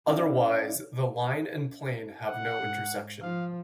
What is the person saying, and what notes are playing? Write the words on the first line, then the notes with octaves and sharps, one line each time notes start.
Otherwise, the line and plane have no intersection.
C#4 E4 D5 E5 F5
F#5
G#2
F3 F5